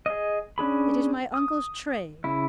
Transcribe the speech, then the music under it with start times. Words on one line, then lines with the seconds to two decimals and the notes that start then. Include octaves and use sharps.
"It is my uncle's trade."
0.06 G#4 D#5
0.58 C#4 D4 G#4 B5
1.34 D#6
2.24 C#3 E4